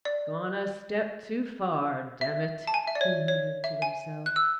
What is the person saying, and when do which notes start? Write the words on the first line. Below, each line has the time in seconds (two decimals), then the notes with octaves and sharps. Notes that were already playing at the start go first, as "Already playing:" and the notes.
"Gone a step too far, damn it!" he murmured to himself.
0.05 D5
2.21 E5
2.67 A5
2.74 G#5
2.87 E5
2.95 D5
3.01 C#5
3.28 C#5
3.64 E5
3.82 G#5
4.26 F#6
4.36 E6